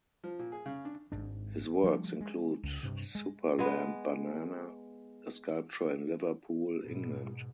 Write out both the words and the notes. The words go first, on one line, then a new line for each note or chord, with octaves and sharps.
His works include SuperLambBanana, a sculpture in Liverpool, England.
F3
A#2
G#4
C#3
D4
G#1 G#2 D4
F3 G3 A3
G#3
C#2
G2 C3
G#3
G#3 B3
G#2 B2